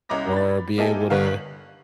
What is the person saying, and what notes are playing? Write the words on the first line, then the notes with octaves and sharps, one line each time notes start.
or be able to
C2 C#4 D#5 A#5 D6 A#6
B5 A6
A#3 D#4 E4 G4 A4 G#5
G1 G2 D3 A#4 F5
F#7